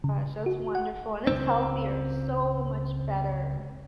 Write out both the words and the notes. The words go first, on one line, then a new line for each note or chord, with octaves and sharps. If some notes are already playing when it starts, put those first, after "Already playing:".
gosh, that's wonderful, and it's healthier, so much better.
C#3
F#4
F#5
C#2 G2 C4